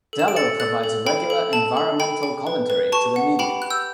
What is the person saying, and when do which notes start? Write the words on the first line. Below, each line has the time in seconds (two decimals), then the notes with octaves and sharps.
Dello provides regular environmental commentary to the media.
0.13 A4
0.19 E7
0.28 D7
0.36 A4 A6 C#7
0.60 A4 F#6 A6
0.84 A4
1.07 G5 B5
1.30 A4
1.53 A4 A5
1.77 A4
2.00 G5 B5
2.23 G5
2.47 B4
2.70 B4
2.92 G4 A5 C#6
3.16 F#5
3.39 G4 G5 B5
3.62 G4 F#6
3.70 E6 G6